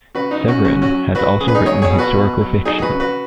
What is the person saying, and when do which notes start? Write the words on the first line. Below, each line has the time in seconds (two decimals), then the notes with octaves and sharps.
Severin has also written historical fiction.
0.15 C#3 F#4 B4
0.31 D#4
0.40 C#3
0.48 C#4 F#4
0.65 F#3 C#4 F#4
0.82 C#4 F#4
0.90 F#3
1.15 F#3 F#4 B4
1.41 C#3 G#4
1.48 B4
1.55 D#4 G#4
1.65 F#3 G#4 C#5
1.82 G#4 C#5
1.90 B2
1.98 F#4 B4
2.16 B2
2.41 F#3
2.65 F#3 D#4 G#4
2.78 G#4
2.82 F#4 B4
2.91 C#3
3.00 F#4 B4